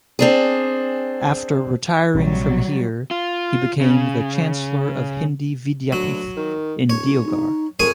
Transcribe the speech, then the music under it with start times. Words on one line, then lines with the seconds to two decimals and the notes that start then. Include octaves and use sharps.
After retiring from here he became the Chancellor of Hindi Vidyapeeth in Deoghar.
0.19 C4 D4 G#4
2.15 A#1 C3 F#3 G3
3.11 F4
3.81 C#3
5.92 D2 F#3
6.37 D#3
6.90 D1 C#5
7.24 D#4
7.80 F2 G#4 A#4 C#5 G#5